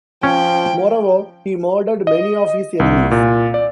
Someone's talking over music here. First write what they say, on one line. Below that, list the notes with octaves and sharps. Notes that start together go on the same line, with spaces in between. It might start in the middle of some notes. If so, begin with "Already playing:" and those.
Moreover, he murdered many of his enemies.
F3 C#4 G5
D#5
C2
A#2
D5